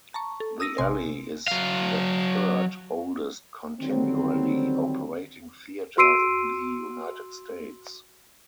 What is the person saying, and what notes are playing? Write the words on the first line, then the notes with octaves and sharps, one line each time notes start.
The Alley is the third oldest continually operating theatre in the United States.
A5 A#5 C#6
A4
D#6 E6 A#6 D#7
A1 C3 G#5 C6
F#3 F5
D3 D#3 F#3 G3 C4
F#4 C6 E6 C7 D7 D#7